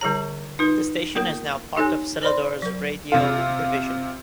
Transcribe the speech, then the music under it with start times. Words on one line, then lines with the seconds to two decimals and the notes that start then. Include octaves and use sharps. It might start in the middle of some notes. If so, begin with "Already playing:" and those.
The station is now part of Celador's radio division.
0.01 D3 G3 E4 G#4 C#5 A#5
0.59 D#4 F4 B4
1.15 A#3 B3 F4 A#4
1.76 D#4 G4 A4 C#5 G#5
2.22 C5 D5 B5 C6
2.62 F#3 A#4
3.12 C3 F4